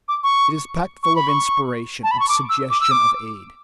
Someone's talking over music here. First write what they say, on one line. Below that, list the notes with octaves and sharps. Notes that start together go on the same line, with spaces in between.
It is packed full of inspiration, of suggestion, of aid.
D6
C#6
C#6
B5
C#6
A5
B5
C#6
D6
E6
D6
E6
D6